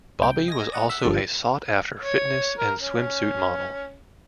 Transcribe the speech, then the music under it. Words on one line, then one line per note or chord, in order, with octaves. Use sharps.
Bobbie was also a sought-after fitness and swimsuit model.
C2 G5
D#5 G#5 A#6
D5 D#5 F#5
E5 F#5
G1 D3 F3 G3 A4
C#5
A#4
C#4